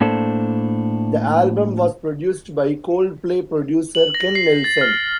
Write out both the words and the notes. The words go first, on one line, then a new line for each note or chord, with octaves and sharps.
The album was produced by Coldplay producer Ken Nelson.
A2 A#3 D4 A4 C5
F#7
A#6
C7
A6
F6